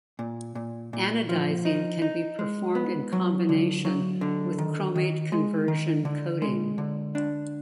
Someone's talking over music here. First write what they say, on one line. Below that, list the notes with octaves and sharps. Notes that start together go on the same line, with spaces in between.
Anodizing can be performed in combination with chromate conversion coating.
A#2
A#2
A#2
F3
D#4
D#4
G#3
B3
F#3
D3
F#3
D3
D#3
D#3
G#3
D#3
D3
G#3
D3
D4